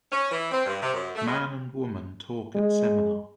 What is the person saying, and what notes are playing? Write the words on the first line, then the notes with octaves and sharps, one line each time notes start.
Man and woman talk at seminar.
C#4
E3
C4
G2
C3
F#2
A3
G#3
G#3